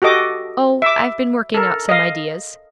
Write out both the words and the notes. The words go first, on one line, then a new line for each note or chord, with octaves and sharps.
'Oh--I've been working out some ideas.'
F#4 G4 A4 D#5 D6
E5 D6
A4 A#4
D#5 F5